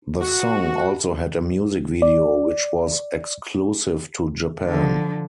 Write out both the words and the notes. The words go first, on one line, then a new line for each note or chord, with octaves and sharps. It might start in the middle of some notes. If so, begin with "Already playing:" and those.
The song also had a music video, which was exclusive to Japan.
F#4
D5
D3 F3